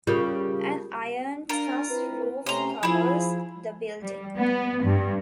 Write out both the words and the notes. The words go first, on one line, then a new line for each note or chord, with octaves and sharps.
An iron truss roof covers the building.
C#3 G3 F4 A#4 G6
D4 F4 A#4
C4 E4 B4
C3 A3 C#4 A#5 C6
F3 E4 G#4
G3
B3
G2